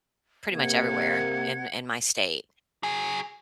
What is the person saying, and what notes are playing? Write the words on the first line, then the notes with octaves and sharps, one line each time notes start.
pretty much everywhere in in my state.
C3 A#3 F#5 G#6
F#3 G#4